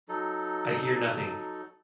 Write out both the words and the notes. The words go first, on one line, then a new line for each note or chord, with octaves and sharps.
I hear nothing!
F#3 D#4 A4